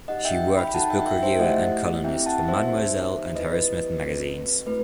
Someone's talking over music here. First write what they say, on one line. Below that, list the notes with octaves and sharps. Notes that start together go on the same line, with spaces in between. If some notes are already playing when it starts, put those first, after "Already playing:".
She worked as book reviewer and columnist for "Mademoiselle" and "Harrowsmith" magazines.
D#4 G4 D#5 F#5
E5 G5
G5 B5
D#4 F#4 A4 F#5 A5
E5 G5
E5 G5
C5 E5
A3 E4 G4 D#5 F#5
C4 E4 G4 E5 G5
F#5 A5
C5 E5
D#4 G4
C4 E4 G4 B4 D#5
C4 F#4 A4
A3 E4 B4